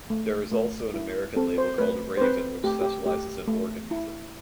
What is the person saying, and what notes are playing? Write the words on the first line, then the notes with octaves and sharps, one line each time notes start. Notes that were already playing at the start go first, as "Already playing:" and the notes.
There is also an American label called Raven which specializes in organ music.
A3
A3
E4
C4 A4
C5
A3 B4
C5
C4 B4
A3 G4
G4
A3 G4
A3
E4